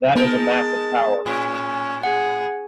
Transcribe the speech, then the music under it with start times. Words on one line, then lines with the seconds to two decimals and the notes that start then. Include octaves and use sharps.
That is a massive tower!.
0.16 G#3 B3 D#4 A#4 A5
1.26 A2 C#4
2.03 G#4 F#5